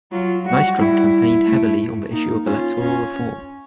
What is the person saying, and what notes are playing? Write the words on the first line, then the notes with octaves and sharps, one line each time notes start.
Nystrom campaigned heavily on the issue of electoral reform.
F#3 F4
G3 F#4
G3 E4
A3
A#3 D#4
C#4 F4
C#4